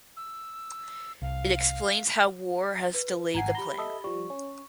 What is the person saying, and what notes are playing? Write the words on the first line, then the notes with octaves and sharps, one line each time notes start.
It explains how war has delayed the plan.
E6
C2 F5
B4
G#1 F#5 G#5 A#5 C7
G4 A#5 B5 G7
A4 D#5 E5
F3 G3 C#6
C#4